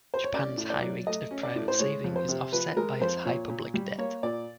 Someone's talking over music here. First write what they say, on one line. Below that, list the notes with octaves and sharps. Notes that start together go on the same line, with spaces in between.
Japan's high rate of private saving is offset by its high public debt.
C5
C#5
C#4 D5
A2
D5
F#3
A3 D#5
C#4
D5
A2
C5
G#3 C#5
F2
C5
C3
F3 B4
G#3 A#4
F2 C5
A#2 C#5
A#2
G3
A#3 C#5
A#2 D5